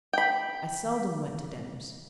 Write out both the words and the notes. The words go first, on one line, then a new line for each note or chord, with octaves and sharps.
I seldom went to dinners.
G5 B5